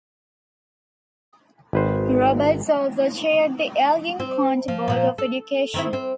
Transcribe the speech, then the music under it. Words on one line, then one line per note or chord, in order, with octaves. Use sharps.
Roberts also chaired the Elgin County Board of Education.
G#1 B4 C5
C4
F3
A#2 F3 A#3
A4
D#3 C4 E4
C4